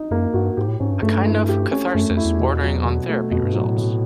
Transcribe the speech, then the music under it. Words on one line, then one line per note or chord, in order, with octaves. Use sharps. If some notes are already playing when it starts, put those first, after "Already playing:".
A kind of catharsis bordering on therapy results.
Already playing: D#4
F#2 A#3
G2 F#4
G#2 G4
A2
G#2 C#4
G2
G2 A3
E4
G4
C#4
F#2 A3
F2
E4
E2
B2
F#3
B2
A3
F2 B2
G2
G#2 F#3
A2
B2